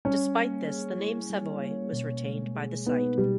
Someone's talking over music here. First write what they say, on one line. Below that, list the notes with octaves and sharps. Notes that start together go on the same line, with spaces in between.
Despite this, the name Savoy was retained by the site.
G3 C#4
A#3
G#4
E4
G3
A#3
B2
G#3
G#4
B3 D#4
B2 G3